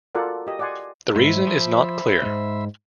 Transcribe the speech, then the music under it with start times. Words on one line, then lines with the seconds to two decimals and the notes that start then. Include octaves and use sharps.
The reason is not clear.
0.15 F4 F#4 A4 A#4 D5 F#5
0.47 G4 D#5
0.59 D5 D#5 F#5 G#5 C6
1.16 G#2 C5 E5 B5
1.47 F3
2.22 D2 G#2